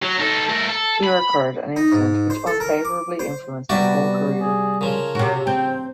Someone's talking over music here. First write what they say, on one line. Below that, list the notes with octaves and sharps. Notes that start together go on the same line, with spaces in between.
Here occurred an incident which unfavourably influenced his whole career.
F#3
D#4 A4
A3 A#4
A4
B5
D#4
G#2
C5
A4
A#4
D6
C5
C3 G3 B3 F#4 D5 E5
G#4
C#3 F3 A#4 C#5
C3 F#4
C4 C5 G5